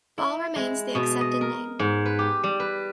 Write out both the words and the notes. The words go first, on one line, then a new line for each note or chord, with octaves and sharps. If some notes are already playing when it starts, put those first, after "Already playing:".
Ball remains the accepted name.
E4
G#3
B2
D#5
A#4
G#2
B4
G4
G3
B4